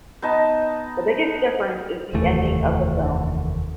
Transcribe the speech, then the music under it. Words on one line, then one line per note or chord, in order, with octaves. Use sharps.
The biggest difference is the ending of the film.
B3 D#4 D#5 A5
F1 D#2 E3 A3